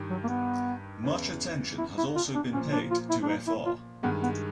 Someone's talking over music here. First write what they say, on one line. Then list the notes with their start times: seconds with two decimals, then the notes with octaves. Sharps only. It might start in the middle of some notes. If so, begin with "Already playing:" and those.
Much attention has also been paid to fr.
Already playing: G2 D#3 G3
0.10 F#3
0.24 A#3
0.28 B3
1.04 E2 C#3 E3
1.78 E4
1.98 E4
2.16 F4
2.35 D4
2.53 A#2 F3 A#3 C#4
2.72 D4
2.91 F4
3.10 E4
3.23 D4
3.28 D#4
3.47 E4
3.66 F4
4.03 G2 D#3 G#3 B3
4.23 B3